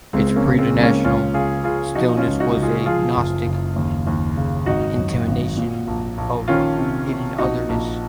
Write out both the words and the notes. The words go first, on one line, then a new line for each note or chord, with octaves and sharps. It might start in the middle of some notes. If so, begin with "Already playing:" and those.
Its preternatural stillness was a gnostic intimation of a hidden otherness.
C#2 G#3 C4
C4
A#3 C#4
C#2
G#3 C4
C#2
A#3 C#4
C#2 C#4 F4
C#3 F4 G#4
C#3 F4 G#4
F3 D#4 F#4
C#4 F4
C#2
D#4 F#4
C#2
F4 G#4
F3 F4 G#4
F#1
F#1
D#2
D#2
C#3
G#1 D#4 F#4
F#2
G#1
A#2
A#1
A#1
D#3 C#4 F4
C3
C3
A#1 D#4 F#4
A#1